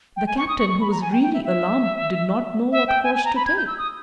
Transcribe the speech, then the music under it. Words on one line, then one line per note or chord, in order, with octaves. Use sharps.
The captain, who was really alarmed, did not know what course to take.
G5
G#5
C#6
D#6
C#6
C#6
B5
A#5
G#5
G5
G5
E5
E5
E5
G5
G#5
G#5
A#5
B5
G#6
G6
E6
D#6